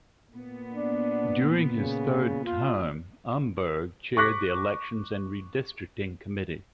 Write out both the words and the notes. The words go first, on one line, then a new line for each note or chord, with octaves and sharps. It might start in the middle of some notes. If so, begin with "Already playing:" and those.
During his third term, Umberg Chaired the Elections and Redistricting Committee.
A#2 B3
D4
C#3
F4
C#6 D6 F#6 A#6 B6